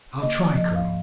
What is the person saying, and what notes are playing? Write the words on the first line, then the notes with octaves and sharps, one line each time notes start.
"I'll try, Colonel!"
A#3 D#5
F3 D5
F3 D#5
G#2 F5